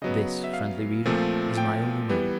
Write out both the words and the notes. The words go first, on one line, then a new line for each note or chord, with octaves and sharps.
This, friendly reader, is my only motive.
C#3 F#3 B3 D#5
E5
F5
A#2 F3 A3 C4
G5
E3 G3 B3